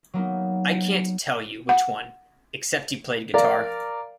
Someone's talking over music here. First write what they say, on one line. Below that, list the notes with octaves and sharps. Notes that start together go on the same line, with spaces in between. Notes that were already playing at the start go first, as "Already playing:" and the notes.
I can't tell you which one... except he played guitar.
F#3 A#3 B3 D#4
F#5
A#4 D5 F5